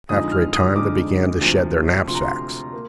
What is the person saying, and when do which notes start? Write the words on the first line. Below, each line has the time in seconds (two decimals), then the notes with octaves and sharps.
After a time they began to shed their knapsacks.
0.09 F2 D3 G#3 D#4 D#6
0.32 F6
0.53 D#6
0.75 F2 D3 G#3 D#4 D6
1.41 D2 C3 F3
2.07 D2 C3 F3 C6
2.15 A#5
2.22 C6
2.73 A#3